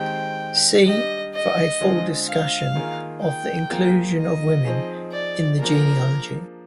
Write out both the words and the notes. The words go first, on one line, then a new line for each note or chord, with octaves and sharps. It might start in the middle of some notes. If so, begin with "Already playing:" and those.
See for a full discussion of the inclusion of women in the genealogy.
Already playing: D#3 G#3 C4 G4 G5
G3 D4 G4 D#5
D#5
D3 G#3 C4 F4 G#4
F5
D#3 A#3 F4 G#4
G5
F3 A#3 F4 G#4
D#5
F3 C4 D#4 G#4
D5
F3 A#3 D4 G#4 A#4